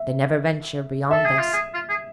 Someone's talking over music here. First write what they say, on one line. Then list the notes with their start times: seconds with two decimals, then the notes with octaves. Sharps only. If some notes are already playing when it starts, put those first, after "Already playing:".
They never venture beyond this.
Already playing: E5
1.11 A4 E5
1.25 G#4
1.38 F4
1.53 G#4
1.74 F4
1.89 G#4